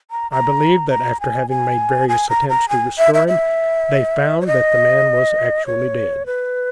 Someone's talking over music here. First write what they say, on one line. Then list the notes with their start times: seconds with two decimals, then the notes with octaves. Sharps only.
I believe that after having made various attempts to restore him, they found that the man was actually dead.
0.11 A#5
0.31 A#5
0.90 A#5
1.20 G#5
1.50 G#5
2.09 G#5
2.29 A#5
2.49 A#5
2.69 G#5
2.98 E5
3.14 E5
3.28 E5
4.41 C#5
4.47 D#5
5.66 C#5
6.26 B4